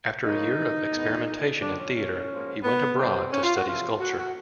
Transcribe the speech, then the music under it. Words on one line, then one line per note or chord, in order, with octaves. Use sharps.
After a year of experimention in theatre, he went abroad to study sculpture.
C#3 F3 A#3 D#4
E2 B2 G#3 B3
F2 D3 F3 A#3 D4
C#4
C#4
G#2 F3 A#3
B3
C3 D#3 G3 B3 C4
C#4
F4
F#4
E2 C3 F3 A3 F4
F#4
F#4